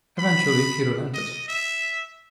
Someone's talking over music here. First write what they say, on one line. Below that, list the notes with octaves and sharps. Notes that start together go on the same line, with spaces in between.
Eventually he relented.
B5
D#5
E5